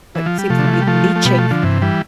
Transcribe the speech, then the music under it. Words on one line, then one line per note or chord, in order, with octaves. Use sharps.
like, seems to be leeching
E3
F3
G3
C3 F3 A3
D3
E3
F3
G3
F3 A3
A3
B2 G3 B3
F3 A3
D3 F3
G2 C3 E3
E3 G3